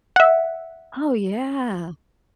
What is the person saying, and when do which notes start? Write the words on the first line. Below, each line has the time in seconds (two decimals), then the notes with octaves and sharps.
Oh, yeah.
0.16 E5 F#5